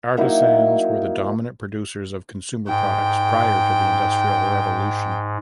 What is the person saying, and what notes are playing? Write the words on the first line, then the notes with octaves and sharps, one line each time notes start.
Artisans were the dominant producers of consumer products prior to the Industrial Revolution.
F#3 A#3 D#4 E4
G#2 G5